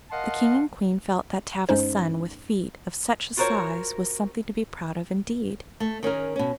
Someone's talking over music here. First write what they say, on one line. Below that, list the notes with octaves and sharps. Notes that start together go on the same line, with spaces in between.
The King and Queen felt that to have a son with feet of such a size was something to be proud of, indeed.
A#4 D#5 F5 F#5 A5 C6
G2 G#3 C#4 D#4 C5
F4 F#4 A#4 C5 C#5
A3
D#3 C#4 G#4 A#4
B2 C#4